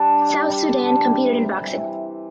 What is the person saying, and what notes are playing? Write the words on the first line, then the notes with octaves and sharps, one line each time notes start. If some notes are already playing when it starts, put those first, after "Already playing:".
South Sudan competed in boxing.
Already playing: G3 D4
G4
G3
D3
C3
C3
E3